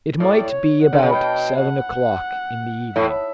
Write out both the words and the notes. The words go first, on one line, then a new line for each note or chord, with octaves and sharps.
It might be about seven o'clock in the evening.
A2 D5
C#5
F#5
D3
C#3
B2 G5
F#5
A2 E5